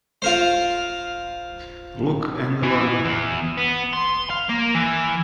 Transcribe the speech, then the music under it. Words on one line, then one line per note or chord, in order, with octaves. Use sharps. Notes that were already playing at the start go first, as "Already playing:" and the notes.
Look and learn.
F4 A#4 C5
E3
E2
B3
C6
F5
A#3
E3